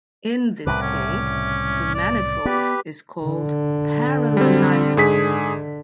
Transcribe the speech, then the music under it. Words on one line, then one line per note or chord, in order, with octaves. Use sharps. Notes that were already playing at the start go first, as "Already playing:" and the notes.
In this case, the manifold is called parallelizable.
C2 A2 C#3 B4 D6
C#4
D5
B3 G4 B4
D3
G3 C4
G#2 G#4 B6